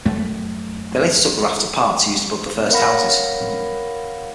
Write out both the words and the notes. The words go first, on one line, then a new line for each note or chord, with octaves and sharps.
They later took the rafts apart to use to build their first houses.
F#2 A3
A#4 C#5 F5 F#5 B5 A#6